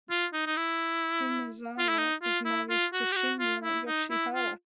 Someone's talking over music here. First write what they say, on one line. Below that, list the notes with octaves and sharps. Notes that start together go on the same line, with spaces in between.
Umezawa is married to Shinya Yoshihara.
F4
D#4
D#4
E4
F4
E4
D#4
F4
E4
F4
F#4
G4
F#4
F4
E4
D#4
E4
F4